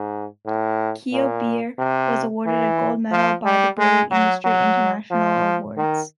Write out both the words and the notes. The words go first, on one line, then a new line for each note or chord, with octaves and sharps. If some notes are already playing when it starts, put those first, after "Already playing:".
Keo beer was awarded a Gold Medal by the Brewing Industry International Awards.
Already playing: G#2
A2
A#2
C3
E3
F3
G3
G#3
F#3
F#3
F3
D#3